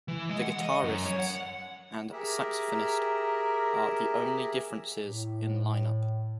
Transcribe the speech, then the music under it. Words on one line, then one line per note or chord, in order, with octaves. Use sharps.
The guitarists and saxophonist are the only differences in line-up.
E3
G#3
F#5
D#5
F#2
C#5
F#5
G4 G#4 A#4 E5
A2